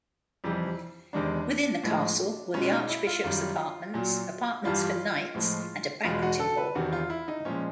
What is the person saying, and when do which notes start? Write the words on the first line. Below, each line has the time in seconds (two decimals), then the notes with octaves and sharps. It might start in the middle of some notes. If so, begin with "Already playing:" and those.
Within the castle were the Archbishop's apartments, apartments for knights and a banqueting hall.
0.44 F2 C3 E3 G3
1.13 E2 C3 D#3 G#3 D4
1.83 A2 F3 G#3
2.54 B2 G#3 C#4
2.72 D#4
2.89 E4
3.07 F4
3.24 F#2 D#3 G3 F4
3.94 A#2 F#3
4.65 G2 E3 G3 F4
5.35 A2 F3 G#3
6.04 E2 B2 G#3 F4
6.22 F#4
6.40 A4
6.57 B4
6.75 E2 C3 D#3 F#4
6.93 F4
7.10 E4
7.28 D#4
7.45 A#2 F3 G#3 C#4